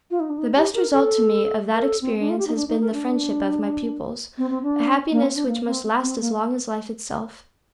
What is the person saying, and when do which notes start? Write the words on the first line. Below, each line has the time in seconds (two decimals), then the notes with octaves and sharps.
The best result to me of that experience has been the friendship of my pupils,--a happiness which must last as long as life itself.
0.11 F4
0.20 D#4
0.29 D4
0.38 D#4
0.56 G4
0.74 A#4
0.92 A4
1.74 A#4
1.84 A4
2.02 C4
2.20 D4
2.29 F4
2.38 G4
2.47 D#4
2.56 D4
2.68 D#4
2.81 A#4
2.93 D4
4.38 C4
4.50 C4
4.63 D4
5.11 A#3
5.23 C4
5.35 D4
5.47 A#3
5.66 C4
6.02 C4
6.21 A#3